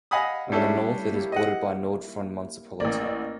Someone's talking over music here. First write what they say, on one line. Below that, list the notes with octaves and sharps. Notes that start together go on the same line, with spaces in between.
On the north it is bordered by Nord-Fron municipality.
D#5 F5 F#5 G#5 B5 D#6
G3 A3 C#4 D4 E4 A4
D#5 F#5
A1 A#3 D5